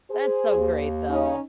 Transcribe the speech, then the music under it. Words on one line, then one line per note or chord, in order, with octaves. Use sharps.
that's so great, though.
G#4 C5
D#2
C#4 D#4